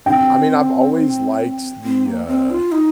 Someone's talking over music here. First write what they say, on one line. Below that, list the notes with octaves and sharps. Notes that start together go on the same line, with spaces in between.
I mean, I've always liked the, uh
C4 G5
C4
A#3
C4
F4
D#4